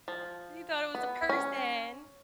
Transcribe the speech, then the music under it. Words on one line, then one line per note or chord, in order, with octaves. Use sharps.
he thought it was a person.
F3
B3
C#4